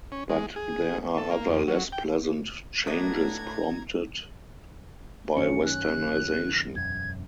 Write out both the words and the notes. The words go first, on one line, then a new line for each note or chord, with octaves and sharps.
But there are other less pleasant changes prompted by westernization.
C#4
G#3
G#4
A4
A#3
F2
F#3
G5
A2 F#3 A3 B3 D4 D#5 A#5 G#6
F#2 D#3 C#4 C#7
F#6
E1 F#2 G#6